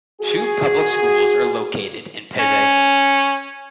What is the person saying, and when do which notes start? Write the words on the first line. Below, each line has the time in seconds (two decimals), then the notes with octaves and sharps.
Two public schools are located in Peize.
0.21 F#4 G#4
2.39 C#4